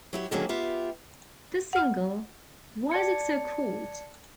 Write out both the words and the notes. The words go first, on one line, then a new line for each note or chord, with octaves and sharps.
The single Why's It So Cold?
F#3 E4 G4
D3 D#3 F#3 A#3 C#4 G#4
B3 F4 G4 E5
F#5 F6
D5 A5 G#6 C#7